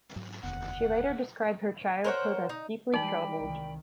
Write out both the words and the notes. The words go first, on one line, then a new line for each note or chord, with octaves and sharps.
She later described her childhood as deeply troubled.
G#2 F#3
F1 D#2 D3 B3 F#5
A#4 C5 C#5 F#5
D#4
E3 G3 G#3 D#4 D5 G5 B5
C2 D#3